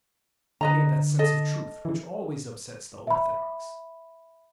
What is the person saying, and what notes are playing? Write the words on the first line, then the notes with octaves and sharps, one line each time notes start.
He had that sense of truth which always upsets the orthodox.
D3 B4 D#5 A#5
A4 D#5
E3
E5 B5